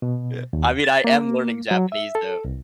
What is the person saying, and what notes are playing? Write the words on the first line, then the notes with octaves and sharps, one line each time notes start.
Yeah. I mean, I am learning Japanese though,
B2
D#2
A6
A#3
F#3
E5
A4
C2